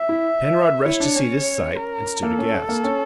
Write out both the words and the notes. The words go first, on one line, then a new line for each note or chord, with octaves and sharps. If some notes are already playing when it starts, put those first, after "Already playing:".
Penrod rushed to see this sight, and stood aghast.
Already playing: E5
E4
E4 C#5
D4
C#4
A#4
A#3 A4
C#4
A#3
C#4